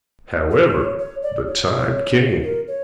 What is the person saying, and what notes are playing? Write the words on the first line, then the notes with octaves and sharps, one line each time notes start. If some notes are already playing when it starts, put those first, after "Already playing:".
However, the time came.
C#5
C#5
D5
C#5
A#4
C#5